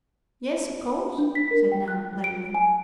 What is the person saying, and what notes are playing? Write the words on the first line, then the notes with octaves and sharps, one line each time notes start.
"Yes, of course," said Nan lamely.
D4
B6
A#4
G5
F#6
D7
G#5